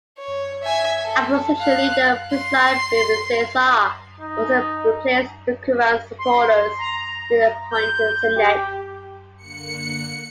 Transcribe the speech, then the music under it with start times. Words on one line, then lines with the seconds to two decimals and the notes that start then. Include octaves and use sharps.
Opposition Leader Persad-Bissessar also replaced Dookeran's supporters in the appointed Senate.
0.18 C#5
0.63 E5 G#5
1.02 A4
1.59 F5 F#6
2.31 C6
4.20 D#4
6.18 C6
6.79 A#5
7.71 G6
8.36 G4
9.38 D3 A#3 F#6 C#7